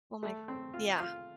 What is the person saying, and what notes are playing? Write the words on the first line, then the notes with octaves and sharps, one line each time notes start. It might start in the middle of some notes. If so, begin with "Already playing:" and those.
Oh, my g yeah.
A3
C4
F4
F4